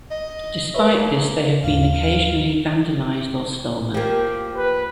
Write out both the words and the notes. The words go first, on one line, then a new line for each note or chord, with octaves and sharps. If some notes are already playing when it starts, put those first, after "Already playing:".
Despite this they have been occasionally vandalised or stolen.
D#5
A#4 B4 C#5 E5
A#3
D#2 G#2 F5
F3 A#3 G4
B4